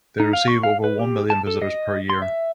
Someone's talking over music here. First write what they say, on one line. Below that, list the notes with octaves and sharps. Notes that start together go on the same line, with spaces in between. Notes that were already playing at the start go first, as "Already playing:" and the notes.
They receive over one million visitors per year.
D#4
F5
C#6
F5
B4
G4
A5
A4
D#5
C6
E5